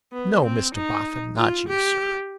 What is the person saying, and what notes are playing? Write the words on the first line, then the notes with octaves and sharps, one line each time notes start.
'No, Mr Boffin, not you sir.
B3
C4
D#4
F4
G4